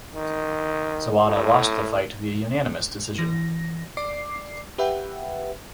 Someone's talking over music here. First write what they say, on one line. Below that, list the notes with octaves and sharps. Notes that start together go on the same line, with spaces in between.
Zawada lost the fight via unanimous decision.
D#3
A2
E3 A#6
D5 D6 C7
G4 B4 E5 F#5 G5